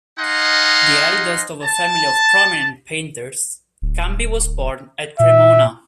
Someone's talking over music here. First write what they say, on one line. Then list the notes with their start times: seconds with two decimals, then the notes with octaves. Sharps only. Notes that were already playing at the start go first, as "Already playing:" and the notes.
The eldest of a family prominent painters, Campi was born at Cremona.
0.19 D#4 D#5 F5 F#5 G#5 C6
1.63 A5
3.82 D1
5.20 A#2 E5